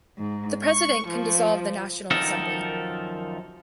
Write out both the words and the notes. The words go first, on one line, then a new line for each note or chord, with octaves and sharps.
The President can dissolve the National Assembly.
G#2
C#6
F3
F#2 D#3 F3 D#4 A4 A#4